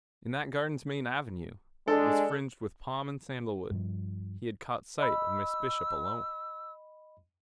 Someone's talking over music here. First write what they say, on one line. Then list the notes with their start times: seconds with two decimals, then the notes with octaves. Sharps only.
In that garden's main avenue, that was fringed with palm and sandalwood, he had caught sight of Miss Bishop alone.
1.88 G#3 D4 A4
3.71 G2 F3
4.99 D#5 B5 E6